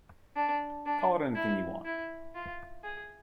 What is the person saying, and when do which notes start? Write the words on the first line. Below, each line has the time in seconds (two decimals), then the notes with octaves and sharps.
Call it anything you want.
0.36 D4
0.86 D4
1.35 E4
1.85 E4
2.36 F4
2.84 G#4